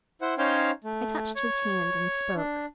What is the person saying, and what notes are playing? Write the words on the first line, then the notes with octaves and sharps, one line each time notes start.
I touched his hand, and spoke.
E4 C5 F#5
C#4 D#4 C5 C#5 F5 G5
A3
C#5 C#6
D4